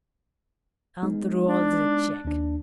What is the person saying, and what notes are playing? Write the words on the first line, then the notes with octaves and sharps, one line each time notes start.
"I'll draw the cheque."
G#3 B3 D#4
D4
D#2 D4